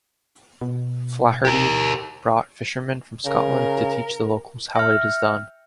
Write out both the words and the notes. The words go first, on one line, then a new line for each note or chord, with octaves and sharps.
Flaherty brought fisherman from Scotland to teach the locals how it is done.
B2
G4 A#4
C#3 A#4
E5 G5 F6